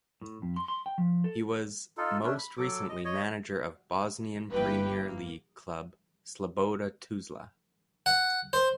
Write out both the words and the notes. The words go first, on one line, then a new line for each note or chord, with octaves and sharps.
He was most recently manager of Bosnian Premier League club Sloboda Tuzla.
A2
F2
C6
C6
G5
F3
A4
D#4 F4 A4
A3 C#4 D4
B5
F#3 A4 D6
D#5
C#5 D#5
G1 E3 A#3 G4 B4 G5
A#3
F#5
C5